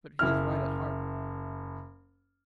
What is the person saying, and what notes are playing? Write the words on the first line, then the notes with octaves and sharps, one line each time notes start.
But he is right at heart.
F#1 E4 F6